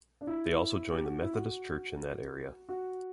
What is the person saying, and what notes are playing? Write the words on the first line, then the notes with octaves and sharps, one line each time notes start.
They also joined the Methodist church in that area.
D4
E4
G4
F#4
E4
F#4
F#4